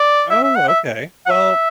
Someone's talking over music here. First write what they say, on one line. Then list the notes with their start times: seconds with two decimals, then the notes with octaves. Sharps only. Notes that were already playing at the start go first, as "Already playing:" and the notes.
Oh, okay, well,
Already playing: D5
0.30 E5
0.43 E5
0.56 F#5
0.68 E5
1.26 F#5
1.31 E5